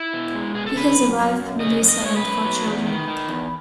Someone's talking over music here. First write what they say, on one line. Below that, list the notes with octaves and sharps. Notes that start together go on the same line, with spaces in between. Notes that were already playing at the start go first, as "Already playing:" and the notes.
He has a wife, Melissa, and four children.
Already playing: E4
B2
G#3
B2 G#4
A4
C#3 B4
F#2
F#2
F#2
C#3 D#5
F#2
D#5
G#3 C#5
B4
F#2
F#3
E2
D#3
D#3
E2